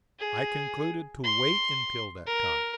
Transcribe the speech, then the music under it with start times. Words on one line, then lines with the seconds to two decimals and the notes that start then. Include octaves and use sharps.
I concluded to wait until that time.
0.19 G#4
1.23 C6
2.27 A#4